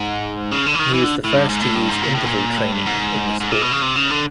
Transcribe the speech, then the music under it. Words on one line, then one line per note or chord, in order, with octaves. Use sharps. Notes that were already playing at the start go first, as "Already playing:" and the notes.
He was the first to use interval training in the sport.
Already playing: G#2
C#3
D3
E3
D#3
E3
D3
A2
G2
G#2
A2
G2
G#2
A#2
A2
A#2
A2
G2
G#2
G#2
A#2
B2
C#3
C3
C#3
D3